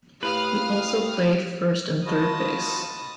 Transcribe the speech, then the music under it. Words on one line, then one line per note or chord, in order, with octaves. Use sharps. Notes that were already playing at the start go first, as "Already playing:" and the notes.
He also played first and third base.
A2 G4 B4 F5 D#6 F6
F4 F#4 D#5 A5 B5 D#6